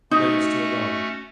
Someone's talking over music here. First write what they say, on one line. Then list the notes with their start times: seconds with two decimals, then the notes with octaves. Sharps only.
The day is still young.
0.11 A3 C#4 D#4 F#4